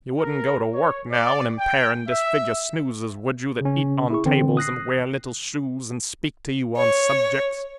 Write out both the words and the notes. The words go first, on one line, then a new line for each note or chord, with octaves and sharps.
You wouldn't go to work now, and impair and disfigure snoozers, would you, that eat on tables and wear little shoes and speak to you on subjects?
A#4
C#5
D5
G5
E5
C#3 C#4
E4 G#4 C#6
D3 E3 C4
D#6 F#6 A#6 C7
C#5